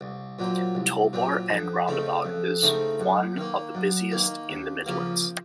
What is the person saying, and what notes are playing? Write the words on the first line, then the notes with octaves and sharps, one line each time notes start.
Tollbar End roundabout is one of the busiest in the Midlands.
C2
A#2 F#3 C4
C2
A#2 F#3 C4
F2
C#3 A3 C4 D#4
F2
C#3 A3 C4 D#4
F#2
D#3 A#3
F#2
D#3 A#3
D#2
C#3 F3 A#3